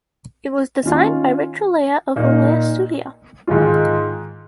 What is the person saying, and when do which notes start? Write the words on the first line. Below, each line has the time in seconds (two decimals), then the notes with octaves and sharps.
It was designed by Rich Olaya of Olaya Studio.
0.83 D#3 C#4 F4
2.16 A#2 A#3 D#4
3.47 G#2 D#3 G#3 F4